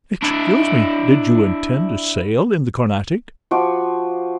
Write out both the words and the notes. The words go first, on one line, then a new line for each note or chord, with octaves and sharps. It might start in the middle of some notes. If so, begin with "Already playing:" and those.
"Excuse me, did you intend to sail in the Carnatic?"
D4 E4
F3 F#4 D6